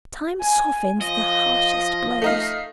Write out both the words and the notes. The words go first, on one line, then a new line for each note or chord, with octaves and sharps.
'Time softens the harshest blows.
G#5
F3 D#5
A3 D#4 F5